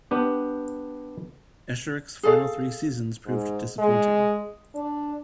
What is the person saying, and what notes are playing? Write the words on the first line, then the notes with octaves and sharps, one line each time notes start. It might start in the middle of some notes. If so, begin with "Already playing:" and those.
Esherick's final three seasons proved disappointing.
B3 D4 G4
G#4 A4 F5
G#2
G#3
D4